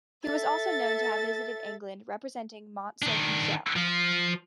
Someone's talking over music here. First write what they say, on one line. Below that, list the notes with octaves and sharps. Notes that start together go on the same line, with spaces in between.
He was also known to have visited England representing Mont Saint-Michel.
A4 E5 A6
D#3 D4
F3